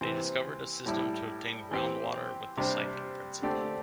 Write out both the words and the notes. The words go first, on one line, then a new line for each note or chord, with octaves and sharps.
They discovered a system to obtain ground water with the siphon principle.
C3 E3 C4
A2 G3 E4
E3 C4 G4
C3 G3 D4 G4 C5
D3 A3 C4 G4 D5